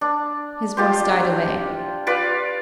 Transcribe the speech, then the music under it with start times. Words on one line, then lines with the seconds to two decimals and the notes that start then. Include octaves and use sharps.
His voice died away.
0.01 D4
0.77 F4 G4 C5
2.07 F4 B4 D5